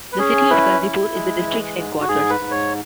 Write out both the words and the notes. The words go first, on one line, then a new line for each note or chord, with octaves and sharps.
The city of Ghazipur is the district headquarters.
B4
C#4 G#4
E4 B4
E4
G#3
E3
G#2
F#4
G#2 G#4
B4
G#2
C#5